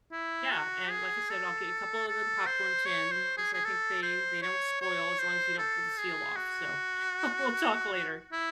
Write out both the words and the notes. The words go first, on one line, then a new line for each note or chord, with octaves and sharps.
Yeah, and like I said, I'll get you a couple of them popcorn tins, I think they they don't spoil as long as you don't pull the seal off. So we'll talk later.
E4
F#4
G#4
A4
A4
C5
C#5
C5
G#4
G#4
A4
C5
C#5
C#5
C5
A4
G#4
F#4
E4